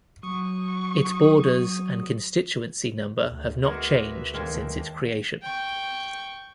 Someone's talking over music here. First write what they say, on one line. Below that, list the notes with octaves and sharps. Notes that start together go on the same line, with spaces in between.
Its borders and constituency number have not changed since its creation.
F#3 C#6 D#6
D2
G#3 A#3 F#4 B4 E5
D#2 G#3 A#3 A4
G5 C#6